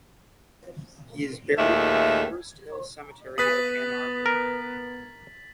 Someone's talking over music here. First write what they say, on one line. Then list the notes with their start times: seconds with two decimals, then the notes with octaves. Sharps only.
He is buried in the Forest Hill Cemetery of Ann Arbor.
1.58 D#2 A#2 G#3 A3 E5
3.38 B3 B4 D#6 A6 B6 F#7
4.26 A#4